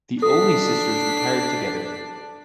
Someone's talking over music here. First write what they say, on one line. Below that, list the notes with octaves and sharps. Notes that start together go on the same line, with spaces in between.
The Olney sisters retired together.
D4 A4 D#6 B6 C7